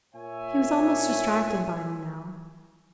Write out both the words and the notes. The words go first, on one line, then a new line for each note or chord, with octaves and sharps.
He was almost distracted by them now.
A#2 C#5 E5 G#5